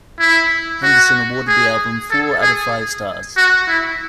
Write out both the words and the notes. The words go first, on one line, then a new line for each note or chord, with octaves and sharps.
Henderson awarded the album four out of five stars.
E4
F#4
G#4
A4
G#4
F#4
E4